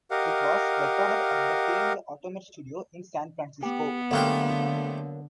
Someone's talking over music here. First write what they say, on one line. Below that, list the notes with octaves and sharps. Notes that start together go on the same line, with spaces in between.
It was recorded at the famed Automatt studio in San Francisco.
G4 A#4 D#5 F5 F#5
B3 G4
D3 F#3 A3 A#3 C4 G4